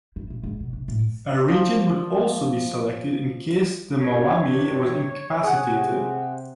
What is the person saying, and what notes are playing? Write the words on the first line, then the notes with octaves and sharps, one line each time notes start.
A regent would also be selected in case the Mwami was incapacitated.
E4
A#2
C#2
B2
C2
A2
F3 D5
G2 C3 D4 C#5
C3 G#4 F#5